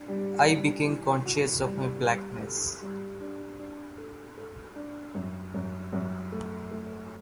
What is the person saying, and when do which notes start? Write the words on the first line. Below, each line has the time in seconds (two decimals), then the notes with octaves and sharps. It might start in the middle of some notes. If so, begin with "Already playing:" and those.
I became conscious of my blackness.
Already playing: D4
0.08 G3
0.47 G3
0.86 E3
1.26 F#4
1.64 G3
2.03 G3
2.43 A4
2.81 G3
3.20 D4
3.60 D4
3.98 A4
4.38 A4
4.76 D4
5.15 F#2
5.54 F#2
5.93 F#2
6.32 A3
6.71 A3